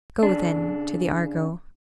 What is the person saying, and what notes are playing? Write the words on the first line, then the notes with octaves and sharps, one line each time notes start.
Go, then, to the Argo.
C#3 D4